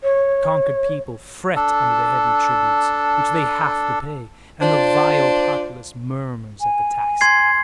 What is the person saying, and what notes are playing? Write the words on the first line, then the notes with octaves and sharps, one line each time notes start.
The conquered people fret under the heavy tributes which they have to pay, and the vile populace murmur at the taxes.
C#5
D4 A4
D4 F4 C5 D5
G#5
C6 G#6 C7